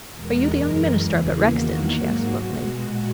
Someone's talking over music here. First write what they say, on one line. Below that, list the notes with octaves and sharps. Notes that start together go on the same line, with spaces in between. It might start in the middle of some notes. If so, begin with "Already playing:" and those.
"Are you the young minister up at Rexton?" she asked bluntly.
E2 B2 G#3 A#4
F#2 E3 G#3
E2 C#3 E3 A#3 G#4
E2 D#3 A#3 F#4
G#2 F#3 A#3
B2 G#3 F#4
A#2 G#3 F#4